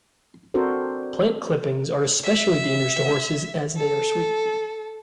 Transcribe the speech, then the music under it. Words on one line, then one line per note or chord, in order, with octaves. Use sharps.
Plant clippings are especially dangerous to horses, as they are sweet.
C4 D4 F#4 A4 A#4 C5
E5
A4